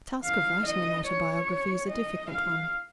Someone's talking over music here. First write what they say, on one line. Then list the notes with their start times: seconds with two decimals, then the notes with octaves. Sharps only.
The task of writing an autobiography is a difficult one.
0.25 F5
0.67 D#5
1.07 C#5
1.90 D#5
2.31 F5